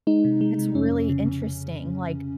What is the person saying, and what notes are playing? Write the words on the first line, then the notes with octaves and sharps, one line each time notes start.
It's really interesting, like,
G#3 D#4
C3
G#3
C3
F2 C#4
F2
C#3
F2